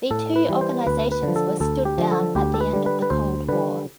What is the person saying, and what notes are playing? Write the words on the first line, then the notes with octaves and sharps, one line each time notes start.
The two organisations were stood down at the end of the Cold War.
A2 A4
B4
E3 G3
C5
D2 B4
B4
D3
F3
A4
D2 A4
G4
D3 F3
A4
D2 G4
A4
B4
D3 G3
B4
B4
D2 C5
D3 G3 B4